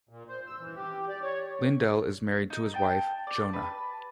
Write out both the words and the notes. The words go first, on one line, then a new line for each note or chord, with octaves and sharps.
Lindell is married to his wife Johna.
A#2
C5
E6
E3
G4
D5
C#5
D#4
G5 A5
D5
B4 A5